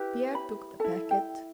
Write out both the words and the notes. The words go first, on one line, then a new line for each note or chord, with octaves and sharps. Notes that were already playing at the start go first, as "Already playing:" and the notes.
Pierre took the packet.
Already playing: E4 G4 B4
B5
E4 A4 A5
G5